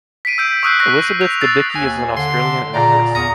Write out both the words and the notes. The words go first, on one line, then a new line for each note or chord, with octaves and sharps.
Elizabeth Debicki is an Australian actress.
B6 C7 D7 D#7
E6 G6 D7
C#6 D#6 E6 F#6 G6 C7
E6 F#6 A#6 B6
F7
E6 A6 C7
D#2 G#5
D3 C6
A#2 C#3 D5 A#5
E2 A#5 C#6 D#6